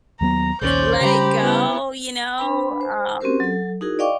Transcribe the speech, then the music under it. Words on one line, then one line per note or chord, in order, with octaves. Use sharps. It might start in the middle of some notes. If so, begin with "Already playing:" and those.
let it go, you know? Um
D#2 F#3 B3 A#5
A#1 D#2 C#4 C5 D5 G6
C#3 G3 G4 A#5 B5
B3 E4
D4 B4 B5
C5
C4 C#4 F#4 G4 A#4 C5
F#3 A4
D#4 E4 F#4 G#4 A#4
D5 D#5 F5 G5 C#6 D6